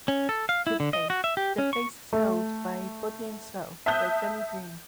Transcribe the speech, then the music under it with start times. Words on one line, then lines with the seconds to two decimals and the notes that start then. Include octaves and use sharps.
Today, the place is held by "Body and Soul" by Johnny Green.
0.08 C#4
0.29 A4
0.49 F5
0.67 E4
0.80 D3
0.93 D#5
1.10 F#4
1.24 E5
1.37 G4
1.58 C#4
1.73 C#6
2.13 A3
3.86 E5 A5 D#6 F#6 G6